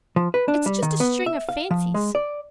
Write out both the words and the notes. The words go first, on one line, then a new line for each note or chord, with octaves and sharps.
It's just a string of fancies.
F3
B4
D4
G3
D#3
B3
E5
F5
F3
G#3
D5